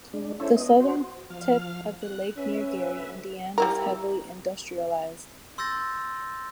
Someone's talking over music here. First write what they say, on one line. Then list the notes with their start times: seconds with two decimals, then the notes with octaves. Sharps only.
The southern tip of the lake near Gary, Indiana is heavily industrialized.
0.13 G#3 D4
0.40 C#4 E4 A4 C5 C#5 E5
0.56 B3 D#5
0.80 F#4 C5
1.30 F3 F5 F6
2.02 F#6
2.37 C#4 B4 E5
2.95 D2
3.58 G3 E4 A#4
5.58 C6 E6 G6 A6 A#6